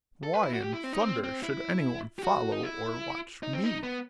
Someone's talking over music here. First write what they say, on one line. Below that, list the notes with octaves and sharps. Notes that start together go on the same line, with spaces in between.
"Why in thunder should anyone follow or watch me?"
A4
B4
E4
F#4
G4
E4
C4
D#4
C4
C4
E4
G4
F#4
D#4
E4
D#4
C4
D#4
B3